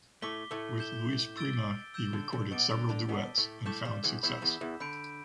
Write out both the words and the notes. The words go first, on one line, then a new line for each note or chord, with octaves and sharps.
With Louis Prima he recorded several duets and found success.
A2 A3 D6 B6 G7
A2 A3
G6 E7 G7
E6 A6 D7 G7
E6 G6 E7 G7
D3
D3
B2 B3 D6 A6 D7 G7
D3 D4
D3 D4
B2 B3 A5 E6 B6 G7
A2 A3
A2 A3 D6 G6 B6 E7 G7
G2 G3
E2 E3
E2 E3 B5 E6 G6 B6 E7
E2 E3
E2 E3
D3 B5 G6 D7